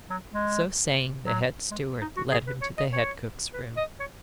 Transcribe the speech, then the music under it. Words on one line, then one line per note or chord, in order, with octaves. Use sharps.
So saying, the head steward led him to the head cook's room.
F#3
G#3
F#3
G#3
D#4
F#4
G#4
B4
C#5
D#5
C#5
B4
D#5
C#5